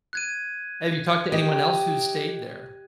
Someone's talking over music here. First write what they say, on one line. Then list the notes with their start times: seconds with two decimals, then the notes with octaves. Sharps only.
Have you talked to anyone else who's stayed there?
0.13 F#6 G#6 D#7
1.32 G4 D#5